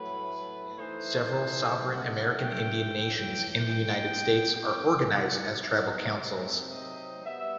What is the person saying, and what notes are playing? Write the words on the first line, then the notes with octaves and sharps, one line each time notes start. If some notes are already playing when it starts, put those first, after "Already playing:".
Several sovereign American Indian Nations in the United States are organized as Tribal Councils.
Already playing: A2 F#3 A3 B4
E3 A3 D#4 C5
G2 D#3 A3 F#5
G5
A2 E3 A3
G2 E3 B3
G5
B2 F#3 B3 D#4 F#5
E5
C3 F#3 C4 D#4
D#5
G3 B3 E5